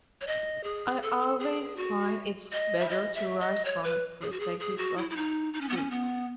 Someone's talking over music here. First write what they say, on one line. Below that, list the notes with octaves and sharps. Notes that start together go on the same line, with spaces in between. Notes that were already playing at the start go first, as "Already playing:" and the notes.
I always find it's better to write from a perspective of truth.
C#5
D#5
G#4
A4
G#4
F#4
D#5
E5
D#5
E5
D#5
C#5
B4
G#4
F#4
G#4
G#4
F#4
E4
E4
D#4
D#4
C#4
B3
C#4
B3